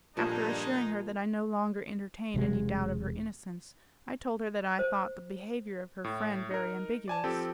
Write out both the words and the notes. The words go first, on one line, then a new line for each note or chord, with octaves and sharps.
After assuring her that I no longer entertained any doubt of her innocence, I told her that I thought the behaviour of her friend very ambiguous.
G2 A#2 D3 F3 G#3 D#4
E1 C3 G#3
C5
A2
D#4 A#4
D5 G#5 A5
F3 C4 G4 A4